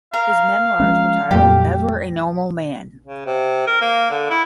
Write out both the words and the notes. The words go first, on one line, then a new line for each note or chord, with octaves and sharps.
His memoirs were titled "Never a Normal Man".
A#4 F5
F3 G#3 C#4
F2 A#2 F#3 G3 A3 G4
C#3
C3
A#4
A#3
D3
E4